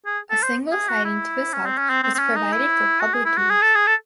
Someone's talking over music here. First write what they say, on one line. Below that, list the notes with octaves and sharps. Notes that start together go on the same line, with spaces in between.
A single siding to the south was provided for public use.
G#4
A4
C5
G#4
F#4
E4
C#4
C4
C#4
C4
C4
C4
C#4
D#4
E4
F#4
G#4
E4
F#4
G#4
A4
G#4
A4